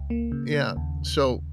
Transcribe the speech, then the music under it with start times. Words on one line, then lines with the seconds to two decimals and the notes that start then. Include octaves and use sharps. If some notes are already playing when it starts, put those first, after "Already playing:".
Yeah, so
Already playing: C#2
0.10 A#3
0.32 C#3
0.54 C#3
0.76 D#2